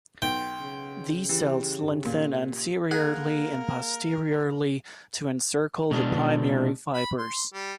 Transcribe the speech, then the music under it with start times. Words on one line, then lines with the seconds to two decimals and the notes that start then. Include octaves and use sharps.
These cells lengthen anteriorly and posteriorly to encircle the primary fibers.
0.22 B1 G5 C6
0.61 C#3
1.29 E3 G4
2.05 A#2
2.91 A#3 G#4 A#4 F#5
5.91 B2 G#3 D4
6.94 B5
7.18 C6
7.53 G3